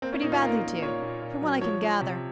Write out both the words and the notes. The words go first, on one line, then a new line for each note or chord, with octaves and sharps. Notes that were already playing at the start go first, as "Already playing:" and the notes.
'Pretty badly too, from what I can gather.
A#3 C4
C#4
A#2 D#4
F4
A#3 A#4
A#3
A#2 C#5
A#2
A#2
F#3
F3 C#5
F3
C3